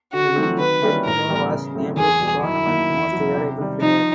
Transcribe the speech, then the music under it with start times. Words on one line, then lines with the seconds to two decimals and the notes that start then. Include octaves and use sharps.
Lee Delfino was named Tournament Most Valuable Player.
0.13 D3 F#4
0.36 F#3 A3 C4
0.59 D#3 B4
0.82 G3 A#3 C#4 E4
1.05 A2 A#4
1.29 E3 G3 B3 E4
1.52 C#3
1.74 F#3 A3 C4 E4
1.97 E2 G#4
2.20 B2 G3 B3
2.43 F#2 E4
2.67 D#3 F#3 A#3
2.90 E2
3.12 B2 F#3
3.35 C3
3.58 D#3 G3
3.81 F3 D#4